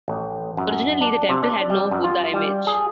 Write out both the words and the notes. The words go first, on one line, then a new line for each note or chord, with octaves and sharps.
Originally the temple had no Buddha image.
A1
F#2
D4
C3
D4
G3
F#2
F4
G3
G#4